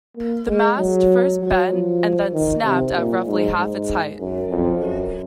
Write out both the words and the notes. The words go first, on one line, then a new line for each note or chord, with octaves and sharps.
The mast first bent and then snapped at roughly half its height.
A#3
G#3
F#3
F#3
F3
D#3
C3
A#2
G#2
G#2
F#2
F2
F#2